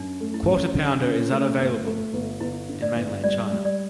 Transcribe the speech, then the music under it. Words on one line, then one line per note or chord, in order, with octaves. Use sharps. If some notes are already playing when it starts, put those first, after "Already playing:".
Quarter-Pounder is unavailable in mainland China.
Already playing: F#2 D4
A3
E4
F#2
D3
C#4
A3
G1
A3
G1
G1 E4
D3
D5
G1
G3 D5
G3
D5